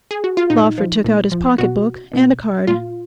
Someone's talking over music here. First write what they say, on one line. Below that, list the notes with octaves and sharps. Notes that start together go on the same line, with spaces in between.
Lawford took out his pocket-book and a card.
G#4
F#4
F4
A#2 D#4
F3
A#2
F3
B2 F#4
B2
A#2 F4